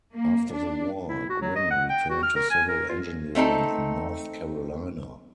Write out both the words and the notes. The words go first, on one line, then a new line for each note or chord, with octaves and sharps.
After the war, Gwynn returned to civil engineering in North Carolina.
A#3
D4
E4
F#4
F#3
D#5
F#5
G5
F#4
F6
A#4
G#5
A#4
F4
A3 C4 D#4 A4